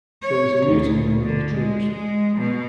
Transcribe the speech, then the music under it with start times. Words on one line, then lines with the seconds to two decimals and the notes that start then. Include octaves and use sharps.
There was a mutiny among the troops.
0.23 C#5
0.67 D2
1.24 D3
1.53 G#3
1.91 G#3
2.37 B2